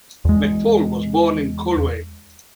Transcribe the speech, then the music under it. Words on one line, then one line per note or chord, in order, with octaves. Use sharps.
McFaul was born in Coleraine.
E2 G#3